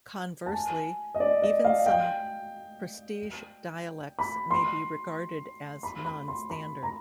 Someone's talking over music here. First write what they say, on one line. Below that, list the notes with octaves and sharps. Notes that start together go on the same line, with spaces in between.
Conversely, even some prestige dialects may be regarded as nonstandard.
A5
G#5
D#5
D5
D#5
F5
G5
B5
C6
B5
B5
C6
B5
A#5